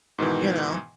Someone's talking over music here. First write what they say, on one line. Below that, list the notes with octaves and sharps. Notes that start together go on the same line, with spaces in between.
you know?
G#2 B2 D#3 E3